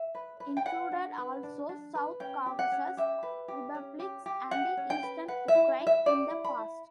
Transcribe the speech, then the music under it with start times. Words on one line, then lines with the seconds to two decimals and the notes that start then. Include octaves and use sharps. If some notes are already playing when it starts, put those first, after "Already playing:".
Included also South Caucasus republics and Eastern Ukraine in the past.
Already playing: E5
0.15 B4
0.40 B4
0.57 G5
0.66 B4 F#5
0.92 D4
1.18 B4
1.43 D4
1.69 D4
1.95 B4
2.20 C#4 G5
2.46 G4
2.59 F#5
2.72 C#4
2.97 G4 E5
3.23 B4
3.48 G4
3.75 C#4
4.00 G4
4.26 G4
4.51 G4 F#5
4.77 C#4
4.90 G5
5.03 B4
5.28 B4 F#5
5.48 E5
5.55 E4
5.80 E4
5.87 E5
6.06 G4 D5
6.31 E4
6.45 B5
6.57 E4